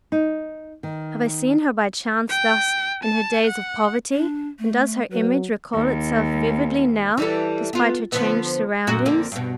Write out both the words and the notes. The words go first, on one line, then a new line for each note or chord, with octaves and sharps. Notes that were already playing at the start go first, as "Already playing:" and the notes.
Have I seen her by chance thus in her days of poverty, and does her image recall itself vividly now despite her changed surroundings?
D#4
D#3
G5
A5
F#5
D4
A3
F#3 B4
D#2
E3 G3 A4
B3 F4
D3 F3 B3
F#2 A#2 F#4
F2 D3 A#3
G2 B2